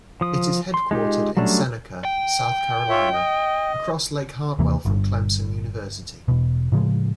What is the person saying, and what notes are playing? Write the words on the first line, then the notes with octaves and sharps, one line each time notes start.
It is headquartered in Seneca, South Carolina, across Lake Hartwell from Clemson University.
F3 D#6
C6
G#3 D#4 F4 G4
F#3 G3 A3 C#4 D4
G5
F4 C#5 E5
D#5
D#2 C3 E3 A#3
G1 G2
E1 B2
A2 C#3 F3 G#3